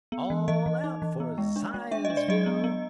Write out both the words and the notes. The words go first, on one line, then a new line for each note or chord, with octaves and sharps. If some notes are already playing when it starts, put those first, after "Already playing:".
All out for Zionsville!
B3
E3
E3 D#5
E3
D#4
E3
B3
G#3
D4
G#3
D4 E5
D#5
D4
D5
F#3 D#5
B3
B3